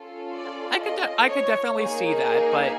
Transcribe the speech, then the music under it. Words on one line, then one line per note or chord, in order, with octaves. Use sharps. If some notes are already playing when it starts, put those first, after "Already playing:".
I I could de I could definitely see that, but,
Already playing: C#4 F4 A4
D5
D#5
C#5
A#3 D#4 G#4
A#4